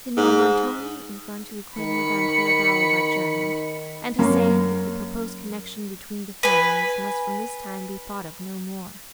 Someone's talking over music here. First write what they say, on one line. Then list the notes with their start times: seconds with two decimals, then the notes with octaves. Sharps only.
Signor Montoni is gone to acquaint Madame Clairval of our journey, and to say, that the proposed connection between the families must from this time be thought of no more.'
0.17 G#2
1.78 D#3 B5 C#7
4.19 F#2 A#3 C#4
6.43 B4 G#5